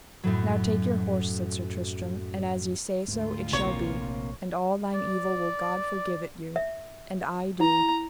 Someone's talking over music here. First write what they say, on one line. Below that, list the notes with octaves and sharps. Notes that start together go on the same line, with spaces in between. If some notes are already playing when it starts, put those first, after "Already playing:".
Now take your horse, said Sir Tristram, and as ye say so it shall be, and all thine evil will God forgive it you, and I do.
F#2 A2 F#3
D2 G#2 F4
A#1 C3 A#3 C#5
D5
E5
E4 A#5